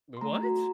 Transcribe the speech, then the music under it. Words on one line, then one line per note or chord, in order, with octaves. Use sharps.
"the what?"
C6
A3 A#5
F#4